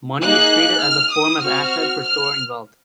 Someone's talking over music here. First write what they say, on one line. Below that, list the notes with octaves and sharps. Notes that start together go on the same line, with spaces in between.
Money is treated as a form of asset for storing wealth.
A#3 D#4 G#4 F#6
F6
D#6
C4 F#4 F6
F6